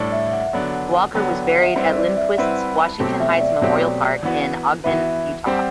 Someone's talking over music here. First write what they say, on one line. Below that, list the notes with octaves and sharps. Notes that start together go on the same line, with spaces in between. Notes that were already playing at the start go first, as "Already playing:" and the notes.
Walker was buried at Lindquist's Washington Heights Memorial Park in Ogden, Utah.
Already playing: A2 G3 D4 A4
E5
F#5
D3 F#3 B3 D4 F#5
D3 F#3 B3 D4 G5
F#5
F#5
E5
G3 C4 E4 B4 C5
D5
E5
G3 C4 E4 B4 F#5
B5
A5
B2 F#3 A3 C4 G4
E5
E5
D5
B2 F#3 A3 C4 G4
E3 B3 F#4 B4
E3 B3 F#4 B4 E5
G3 C4 G4 C5 F#5